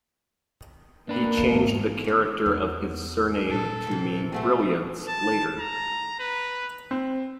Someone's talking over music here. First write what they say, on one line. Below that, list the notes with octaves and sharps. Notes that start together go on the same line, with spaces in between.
He changed the character of his surname to mean "Brilliance" later.
A#3 D4 B4
E2 G#2
E3 D4
E2 B3
A#2 G#3 A4
C3 E3
A3 C4 F#4 G#4
A5
A#5
B4
C4